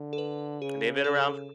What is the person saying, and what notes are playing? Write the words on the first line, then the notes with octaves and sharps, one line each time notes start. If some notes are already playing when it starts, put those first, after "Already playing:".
And they've been around
Already playing: D3
A4
B4
C#3 G#4
C#3 A4